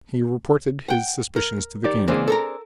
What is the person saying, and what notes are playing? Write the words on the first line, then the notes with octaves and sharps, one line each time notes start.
He reported his suspicions to the king.
F#5 G5
A#4
D#3 G4 D5
C#2 E3 A#3 C4 D4 G#4
A4 A#4 A#5